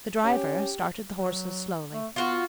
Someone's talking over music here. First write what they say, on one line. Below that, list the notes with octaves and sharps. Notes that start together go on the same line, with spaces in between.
The driver started the horses slowly.
C#4 G4
F#3
A3
B3 F4 F#4